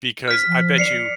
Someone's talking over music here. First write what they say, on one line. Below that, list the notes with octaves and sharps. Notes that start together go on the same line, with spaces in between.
Because, I bet you,
F6 B6
F3
D5 C7 C#7 F7